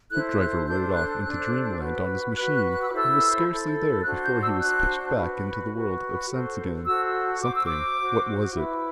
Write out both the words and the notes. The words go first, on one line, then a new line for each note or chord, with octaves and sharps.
Hoopdriver rode off into Dreamland on his machine, and was scarcely there before he was pitched back into the world of sense again.--Something--what was it?
E4 A4 C5 F#6
F#6
D4 A4 C5 G6
F#6
D4 A4 C5 F#6
F#4 B4
F#4 B4 F#6
F#6
F#6
E6
D6
E4 A4 C5 E6
E4 A4 C5
D4 F#4 C5 F#6
G6
E6
D4 F#4 C5 F#6
F#4 B4
F#4 B4
F#4 A4 C5
F#4 A4 C5 E6
F#4 C5 D6
E6
D6
F#4 C5
E4 B4